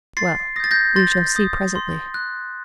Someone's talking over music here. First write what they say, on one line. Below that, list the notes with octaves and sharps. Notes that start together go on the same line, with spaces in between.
Well, we shall see presently.
C6 A6 C7
D#6 G6 A#6
A6
G6 A#6
C6 A6
D#6 G6
C6
F#6